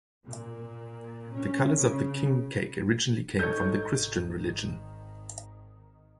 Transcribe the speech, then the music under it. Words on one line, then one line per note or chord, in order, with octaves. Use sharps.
The colors of the king cake originally came from the Christian religion.
A#2
C#4
C#3
G#1 D#3 D#4 A4 C#5 G6